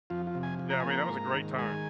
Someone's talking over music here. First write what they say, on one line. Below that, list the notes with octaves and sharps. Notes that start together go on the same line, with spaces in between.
Yeah, I mean, that was a great time.
F2 F4
F4
C3
G#5
F3
A#5
A#3 G#5
A#5
G#2
D#3
G#3 G#5